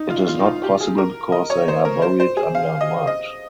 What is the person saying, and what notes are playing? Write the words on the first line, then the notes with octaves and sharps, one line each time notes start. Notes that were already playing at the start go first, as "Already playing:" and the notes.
It is not possible because they are buried under mud.
Already playing: D#4
F4
F4
D#4
F4
G4
G#4
A#4
D#5
C#5
C5
A#4
C5
C5
G#4
F5
D#5
D#5